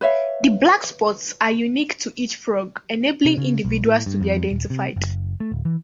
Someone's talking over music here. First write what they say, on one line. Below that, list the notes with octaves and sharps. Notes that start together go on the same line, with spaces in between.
The black spots are unique to each frog, enabling individuals to be identified.
B4 C#5 E5 F5
C3
C#3
B1
A2
G2
F2
D#1
C3
F#1
A3
D1
E3